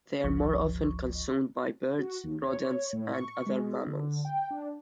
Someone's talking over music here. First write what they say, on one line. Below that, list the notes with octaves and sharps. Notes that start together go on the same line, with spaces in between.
They are more often consumed by birds, rodents and other mammals.
G1 C#2 F3 C#6
F#4
D#2
C#5
A2
C#6
G#3
D3
G5
D4